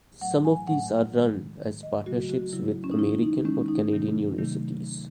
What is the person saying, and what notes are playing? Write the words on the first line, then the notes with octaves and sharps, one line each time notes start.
Some of these are run as partnerships with American or Canadian Universities.
A2 F#3 A3 F#5
G#5
A2 F#3 A3 F#5
D#3 G#3
D#3 G#3
D#5
C#3 F#3 A3 F#4
F#4
C#3 F#3 A3 E4
C#4
D#4
D#3 G#3 E4
D#4
D#3 G#3 C#4
D#4
C3 D#3 F#3 A3
C3 D#3 F#3 A3